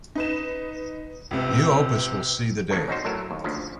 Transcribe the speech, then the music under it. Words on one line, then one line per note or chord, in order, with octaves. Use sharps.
New opus will see the day.
D#4 B4 E7
C#2 C3 B4
A2 C#3 E3 A#3
C#4 D#4 F#4 C5
A2 F#3 A#4 E5
D#2
D2 C#3 F3